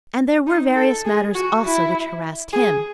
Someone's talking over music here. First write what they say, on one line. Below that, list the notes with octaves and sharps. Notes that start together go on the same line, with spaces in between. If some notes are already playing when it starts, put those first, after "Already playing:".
And there were various matters also which harassed him.
D#4
A4
G#4
F#4
E4
G#4